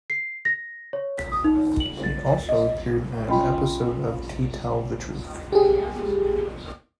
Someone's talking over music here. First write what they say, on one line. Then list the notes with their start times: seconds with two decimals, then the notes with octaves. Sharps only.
He also appeared in an episode of "To Tell the Truth".
0.10 C7
0.45 A#6
0.93 C#5
1.18 B6
1.32 D#6
1.44 D#4
1.80 F#7
2.04 A6
2.49 D#5
3.28 C#4 F4 D#5 G5 B5
5.52 G4 G#4